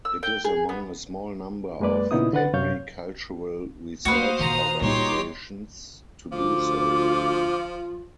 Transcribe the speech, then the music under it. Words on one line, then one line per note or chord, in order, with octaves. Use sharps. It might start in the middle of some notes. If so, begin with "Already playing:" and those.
It is among a small number of agricultural research organisations to do so.
E6
G5
G#4
B3
F#2 G#3 A#3 B4 D5
A#2 C#3 B3 D#4 E4 D#6
D3 B4 F#5 A6
F#2 C3 C#5 F5 G6
A3 A#3 F#4 B4 C5 F5 D#6
A#2 D#3 A#5
A#2 G3 D#4 G4 C#5 C6 D6
D2 F3 F4 D6